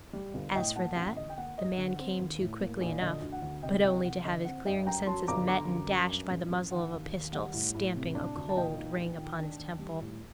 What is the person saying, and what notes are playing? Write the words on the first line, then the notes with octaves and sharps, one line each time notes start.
As for that, the man came to quickly enough; but only to have his clearing senses met and dashed by the muzzle of a pistol stamping a cold ring upon his temple.
G3
G1
A2 D#5 G5
A#3 F#5 A5
A1 F#5
D3 D#5
G5
A#3 F#5
G2 D#5
D3 F#5
C4
D#2
A2
A#3
A#1
D3 D#5
D2
F#5
D2
C3 D#5 G5
C2 D#5 G5
C2 F#5
D3 D#5
C4 F#5
G2 D#5 G5
F#2 G5 A#5
F#3 A5 C6
G1 A#5 D6
D3 A#5 D6
F#2
F#2
G2
A1
A1
D#3 F#5
D#2
D#2
G3 F#5
A2
A2
C3
D4
D2
A5
A#2 D#5 G5
D#4
A#1
D#3
D4
D#2
G3
A2